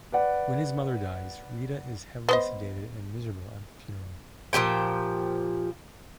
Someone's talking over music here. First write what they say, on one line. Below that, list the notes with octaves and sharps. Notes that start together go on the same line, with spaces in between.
When her mother dies, Rita is heavily sedated and miserable at the funeral.
B4 D5 F#5
B3 C5 D#5
A#2 F3 G4 G5